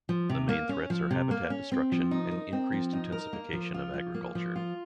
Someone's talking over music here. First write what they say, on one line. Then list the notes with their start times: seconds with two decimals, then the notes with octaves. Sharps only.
The main threats are habitat destruction and increased intensification of agriculture.
0.09 F3
0.30 C3
0.49 A#3
0.69 C#4
0.90 F3
1.11 C3
1.31 A#3
1.50 C#4
1.72 C4
1.92 F3
2.11 D#4
2.31 A#4
2.53 C4
2.72 F3
2.93 D#4
3.12 A#4
3.33 A#3
3.53 F3
3.74 F4
3.94 F3
4.14 A#3
4.35 F3
4.56 F4